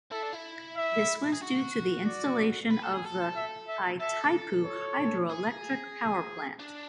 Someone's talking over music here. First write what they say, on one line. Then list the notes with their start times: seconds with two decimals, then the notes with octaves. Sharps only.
This was due to the installation of the Itaipu hydroelectric power plant.
0.12 E4 A4
0.23 D4
0.33 E4
0.76 E5
1.32 G#4
1.42 F#4
2.06 D5
2.71 B4
2.83 A4
2.94 G#4
3.06 A4
3.36 E5
3.68 E5
4.00 A4 E5
4.65 C#5
5.30 G#4
6.60 D4